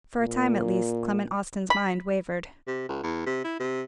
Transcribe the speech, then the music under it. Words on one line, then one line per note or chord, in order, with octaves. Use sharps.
For a time, at least, Clement Austin's mind wavered.
A#2
B5
C3
C#2
E2
C3
E4
C3